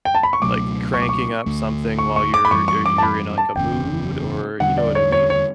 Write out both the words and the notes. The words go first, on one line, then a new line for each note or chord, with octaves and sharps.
like, cranking up something while you're you're you're in, like, a mood, or you know what I mean?
G5
A5
B5
C#6
C#2 B2 F#3 A3 D6
C#6
D6
C#6
D2 D3 A3
C#6
C#6
D6
B5
F#2 E3 G3 C#6
C#6
D6
A5
B5
A5
F#1 E2 C#3 G5
E2 D3 G3 D4 F#5
D5
C#5
C#5
C#5